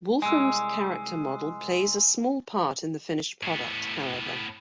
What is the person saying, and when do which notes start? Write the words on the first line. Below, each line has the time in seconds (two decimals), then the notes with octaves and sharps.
Wolfram's character model plays a small part in the finished product, however.
0.22 C2 G#3 G#5 E6
3.43 A2 B3